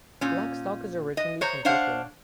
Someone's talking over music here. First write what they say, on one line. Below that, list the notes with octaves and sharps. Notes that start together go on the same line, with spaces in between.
Blackstock is originally from Brooklyn.
A#2 C#4
D#5
C5 C#5 A#5
D4 C5 C#5 F5 F#5